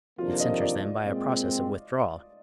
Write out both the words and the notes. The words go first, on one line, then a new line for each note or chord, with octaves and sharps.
It centers them by a process of withdrawal.
F2 C3 D#3 A#3 D4 F4
D#5
D5
A#2 G#3 C4